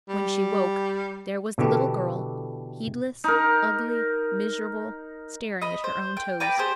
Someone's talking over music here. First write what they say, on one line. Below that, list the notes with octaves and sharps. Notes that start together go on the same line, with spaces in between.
When she woke, there was the little girl, heedless, ugly, miserable, staring at her own toes.
G3
B2 D3 E3 G4 A4
D#4 A#4
D#5 B5
C5
G5
B4 D5 G5 A#5
G4 G#4 C5